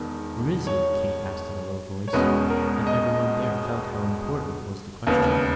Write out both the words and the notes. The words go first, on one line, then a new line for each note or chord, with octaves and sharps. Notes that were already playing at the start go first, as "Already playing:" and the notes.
"Where is he?" Kate asked in a low voice, and everyone there felt how important was the question.
Already playing: E1 E2 D#3
C#5
C#5
E1 E2 B2 G#3 C#4 B4
A#4
D#5
E1 D#2 C#3 E3 B3